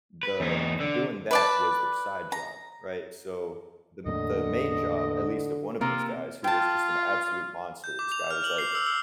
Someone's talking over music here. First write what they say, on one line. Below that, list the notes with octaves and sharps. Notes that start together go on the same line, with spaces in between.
the doing that was their side job right? So, the the main job, at least of one of these guys who was just an absolute monster. This guy was, like,
B4
E2 D#4
D3
B4 D5 A5
A#5
E2 A2 D3 A#3 D#5
C3 A#3 C4 F4 A#4
F4 G5 A5
G6
D6
F7
F6
F#7
C7
E6
E6